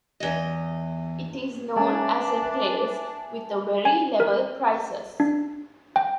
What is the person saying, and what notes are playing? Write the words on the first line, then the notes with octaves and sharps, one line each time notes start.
It is known as a place with a very level prices.
E2 D#5
G#3 C#4 D4 B4 E5 G#5 A5 D6
G#5
A#4
D4
G5